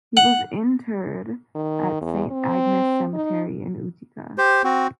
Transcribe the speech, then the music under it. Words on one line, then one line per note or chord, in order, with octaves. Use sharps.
He was interred at Saint Agnes Cemetery in Utica.
F#5
D#3
E2
C4
D#4
G4 C5
C4 F#4